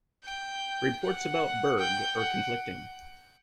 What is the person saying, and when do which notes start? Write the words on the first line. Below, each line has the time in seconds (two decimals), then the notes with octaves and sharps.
Reports about Berg are conflicting.
0.24 G5
1.02 F#5
1.78 G5
2.16 F#5